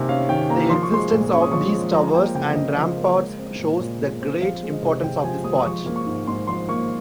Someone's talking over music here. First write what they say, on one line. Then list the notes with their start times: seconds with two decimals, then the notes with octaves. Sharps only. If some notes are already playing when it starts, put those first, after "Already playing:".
The existence of these towers and ramparts shows the great importance of this part.
Already playing: C3 D#3 A#3 G#5
0.09 C#4 F5
0.29 D#3 G5
0.49 A#3 A#5
0.70 F3 C6
0.83 C#6
0.92 G#3 C6
1.12 A#2
1.32 C#4 C#6
1.42 D#6
1.52 F3 C#6
1.73 G#3
1.94 F3 A#5
2.15 A#3 G5
2.35 C#3 G5
2.55 C#3 D#5
2.76 F3
2.97 A#3
3.18 G#3
3.38 C4
3.59 A#2
3.80 A#2
4.01 G#3
4.22 C4
4.41 F3 F5
4.63 G#3
4.72 D#5
4.83 C3
5.03 C3 G5
5.24 F3 G#5
5.44 G#3 D#6
5.57 D#6
5.65 F3 C#6
5.87 A#3
5.96 C#6
6.07 G#2
6.27 G#2 C6
6.47 F3 C6
6.69 A#3 C#6